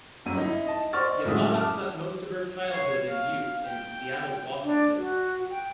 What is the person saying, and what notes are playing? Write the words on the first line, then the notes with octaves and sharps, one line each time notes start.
Yamada spent most of her childhood and youth in Seattle, Washington.
G1 F#2 D#7
D#4 E4
D#5 A5
C5 D5 D#5 C#6 F6 A6
F#1 A2 F#3 G#3 E5 D#6
A5 D6 F6
C#5 C7
F5
G5
D4
F#4
G5